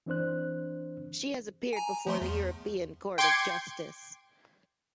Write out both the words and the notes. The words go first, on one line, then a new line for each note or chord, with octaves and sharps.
She has appeared before the European Court of Justice.
E3 C4 D4 C5 F#6
G#5 A#5
F3 A3 C6
E2
G5 C6 D6 G#6 C#7